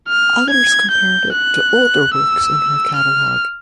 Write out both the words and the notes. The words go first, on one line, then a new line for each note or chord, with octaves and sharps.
Others compared it to older works in her catalogue.
F6
G#6
G6
F#6
E6
F6